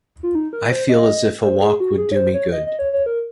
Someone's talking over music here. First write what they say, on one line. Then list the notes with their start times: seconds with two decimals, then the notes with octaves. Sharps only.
I feel as if a walk would do me good.
0.23 F4
0.35 D#4
0.53 A#4
0.71 C5
0.89 D#5
1.43 C5
1.61 G#4
1.80 F#4
1.98 G#4
2.12 C#5
2.16 C5
2.34 C#5
2.52 D#5
2.66 D#5
2.79 C#5
2.93 C#5
3.06 A#4